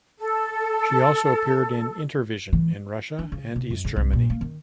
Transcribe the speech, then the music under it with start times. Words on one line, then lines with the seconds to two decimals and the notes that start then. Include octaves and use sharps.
She also appeared in "Intervision" in Russia and East Germany.
0.19 A4
2.53 E3
3.19 D4
3.32 C#3
3.56 C3
3.70 F#2
3.85 C#3
3.96 C2
4.13 A#2
4.30 A#3
4.41 D#3